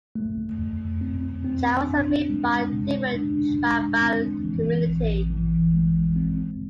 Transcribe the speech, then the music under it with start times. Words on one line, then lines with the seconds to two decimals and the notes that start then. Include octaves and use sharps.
Chariots are made by a different tribal community.
0.15 A3
0.59 F2
1.01 C4
1.44 C4
1.87 D4
2.30 G#3
2.73 C3
3.16 D4
3.58 G#3
4.02 C4
4.44 E3
4.87 A1
5.31 E3
5.74 G#3
6.16 C4